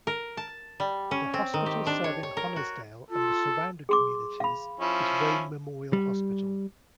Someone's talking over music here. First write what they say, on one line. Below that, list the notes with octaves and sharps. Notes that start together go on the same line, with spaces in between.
The hospital serving Honesdale and the surrounding communities is Wayne Memorial Hospital.
A#4
A5
G3
C#4
C4
D#3
G4
D4
C#5
C#5
A#4
F#4
F4 A4
G#4 C6 D6
F5 B5
F3 C#4 E4
G3